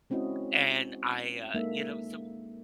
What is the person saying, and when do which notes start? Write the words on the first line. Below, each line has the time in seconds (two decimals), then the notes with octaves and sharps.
and I, uh, you know, so
0.10 G#3 C4 C#4 E4 F#4 D#5
1.54 G#3 A#3 D#4 A4 E5